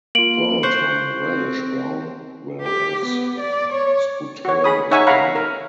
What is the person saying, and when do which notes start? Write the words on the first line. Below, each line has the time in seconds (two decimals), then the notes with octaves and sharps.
Pronotum reddish brown whereas scutellum is brown.
0.15 A#3 F4 D7 F#7
0.63 C5 C#6 F#6 G6
1.21 C4
2.61 G4
3.05 B3
3.40 D5
3.72 C#5
4.45 F#4 C#5
4.64 G#4 B5 D#6
4.91 D#4 C#5 E5 F#5 G#5 C#6
5.07 F5 F#5 A#5 B5
5.35 A#4